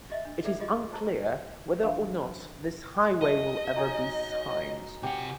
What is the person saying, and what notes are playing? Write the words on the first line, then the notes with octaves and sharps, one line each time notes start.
It is unclear whether or not this highway will ever be signed.
G4 D#5 E5
D4
G#4 A4 B4 D5 E5 F#5
F4 G4 G#4 D#5 D6
C5 A5 A#5
E3 D4 E5 F5 C#6
A3 D#5
F#3 D#4 G#5
C3 G4 F#5 G#5